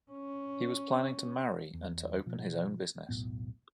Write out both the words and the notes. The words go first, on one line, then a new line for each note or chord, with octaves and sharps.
He was planning to marry, and to open his own business.
C#4
E2
B2 F3
E1 B1 A2 B3